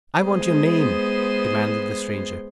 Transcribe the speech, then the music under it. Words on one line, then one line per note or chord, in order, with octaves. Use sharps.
"I want your name," demanded the stranger.
G#3 B3 C5